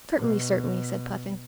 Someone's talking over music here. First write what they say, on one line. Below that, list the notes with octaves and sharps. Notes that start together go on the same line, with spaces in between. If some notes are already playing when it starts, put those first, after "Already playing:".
"Certainly, certainly," said Puffin.
B2